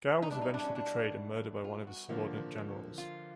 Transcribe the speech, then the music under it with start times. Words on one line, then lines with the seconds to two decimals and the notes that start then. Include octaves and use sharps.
Guo was eventually betrayed and murdered by one of his subordinate generals.
0.22 D#4
0.31 B2 G3 B3 D4 E4
0.41 D#4
0.54 D4
0.64 C#4
0.75 D4
1.64 F4
1.87 F#4
2.09 D3 F3 A#3
2.98 F4